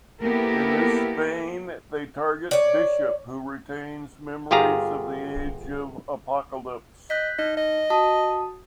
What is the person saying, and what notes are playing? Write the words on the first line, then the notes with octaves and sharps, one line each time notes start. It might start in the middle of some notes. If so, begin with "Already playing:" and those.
In this vein, they target Bishop, who retains memories from the Age of Apocalypse.
A#3 B3 E4 G4 A4 A#4
C#5 D5
G1 F4 G4 G#4 F5 A#5
D#5 F#6 G6 B6
D#4 D#5
D#5
F#4 A5 D#6